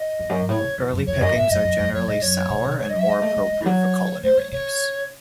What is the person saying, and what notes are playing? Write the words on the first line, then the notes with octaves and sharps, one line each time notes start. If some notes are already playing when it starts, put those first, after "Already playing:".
Early pickings are generally sour and more appropriate for culinary use.
Already playing: D#5
E2
F#2
G#2
A2 C#5
C#3
E2
F#2
E2 C#5
F#2 D#5
G#2 E5
F#2 D#5
F#2
F#2
F#2 C#5
A2 D#5
F#2 C#5
C#3
C3
D#3 C#5
D#5
F#3
E5
G#3 D#5
A3
G#3
G#3
E3
F#3 C#5
A3 C5
G#3 C#5
C#3 C#5